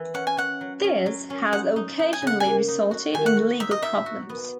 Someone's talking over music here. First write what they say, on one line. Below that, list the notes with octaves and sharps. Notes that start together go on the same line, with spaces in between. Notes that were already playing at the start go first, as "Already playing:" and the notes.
This has occasionally resulted in legal problems.
Already playing: E3
C#4 F#5
G#5
C#4 F#5
F#3
C#4
F#3
C#4
D#4 F#5
D#4
D#4
G#5
C#3 F#5
A#3 G#5
D#4
F#4
D#3 G#5
F#5
F#4
D#4 E5
D#5
D#4 E5
F#4
B3